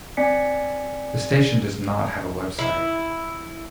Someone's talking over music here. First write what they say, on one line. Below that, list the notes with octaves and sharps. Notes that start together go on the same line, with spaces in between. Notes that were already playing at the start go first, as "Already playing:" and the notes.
The station does not have a website.
C4 D5 G#5 B6 C#7
E4